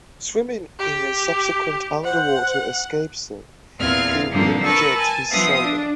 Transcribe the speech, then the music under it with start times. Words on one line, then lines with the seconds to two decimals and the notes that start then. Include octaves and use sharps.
Swimming in a subsequent underwater escape scene, he re-injured his shoulder.
0.79 G4
2.04 C5 F#5
3.77 E2 A#2 C4 F4 F6 G#6
4.29 G2 A#2 D3 F3 A#3 C4
4.63 A#4 B4 A5 C#6 E6 A#6
4.94 G#5 A5
5.31 F3 B3 E5 F5 D#6
5.61 D4